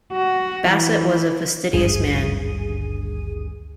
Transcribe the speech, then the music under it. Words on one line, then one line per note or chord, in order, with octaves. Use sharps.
Bassett was a fastidious man.
F#4
E3
G#1 D2 G2 G#4 D#7